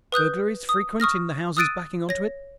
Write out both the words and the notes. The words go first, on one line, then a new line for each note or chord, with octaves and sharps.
"Burglaries frequent in the houses backing on to it?"
B4 D#6 F#6 G6
D#6
C#6 D#6 F6 A#6
D#6 E6 F#6 A6 D7 D#7
C#5 A#6